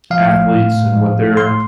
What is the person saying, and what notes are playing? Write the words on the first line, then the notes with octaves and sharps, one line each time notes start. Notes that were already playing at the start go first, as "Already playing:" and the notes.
athletes and what they're
F3 F5
A3
A2
A2
F3
A3
A2 C6